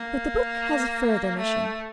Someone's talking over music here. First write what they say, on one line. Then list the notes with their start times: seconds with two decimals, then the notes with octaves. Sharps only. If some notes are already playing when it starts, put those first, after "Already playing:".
But the book has a further mission.
Already playing: A#3
1.38 A3